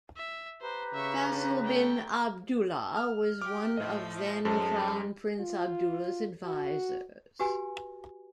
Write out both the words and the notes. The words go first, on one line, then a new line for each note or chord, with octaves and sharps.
Faisal bin Abdullah was one of then Crown Prince Abdullah's advisors.
E5
G4 B4 C5 A#5
C#3 E5 C#6
C#4 D4
A3 G5
F6
G4 D6 F6
A2 F3 A3 D#5
F#2 G#3 D#4 A4 C5 A5
F4
F#4
F#4 G4 B4 G#5